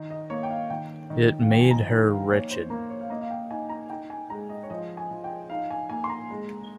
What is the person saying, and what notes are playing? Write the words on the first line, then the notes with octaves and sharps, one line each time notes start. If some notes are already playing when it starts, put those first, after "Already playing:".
It made her wretched.
Already playing: D#3 D#4
D#5
A#3 C#5
G5
F5
D#3 G5
D#3
F5
F3 G5
G#5
A#5
D#4
F5
A#3 C#5
C5
A#3 A#4
C#5
F5
A#3 D#5
F5
G5
D#4 G#5
A#5
D#4 G5
G#5
G#3 A#5
D#5
C#5
F3 D#5
G#5
F3
G5
D#4 F5
G#5
A#3 G#5
C6
A#5
G#3